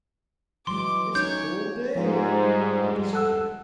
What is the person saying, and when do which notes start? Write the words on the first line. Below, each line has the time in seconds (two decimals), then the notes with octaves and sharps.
"It's a cold day!" yelled the scamp.
0.67 E3 F#3 G#3 C6 D6
1.15 A3 C#4 D#4 C#5 G6
1.95 G#2 F3 G3 G#3 F4
3.13 A4 F#5 E6